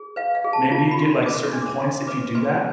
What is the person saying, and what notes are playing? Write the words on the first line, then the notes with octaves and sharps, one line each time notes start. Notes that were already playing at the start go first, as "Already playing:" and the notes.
maybe you get, like, certain points if you do that,
Already playing: G#4
B4 F5
F5
G#4
A5
F4 A5
B5
F4 C6
B4 D6
C6
D4
D6
D4 C6
B4 D6
B4 C6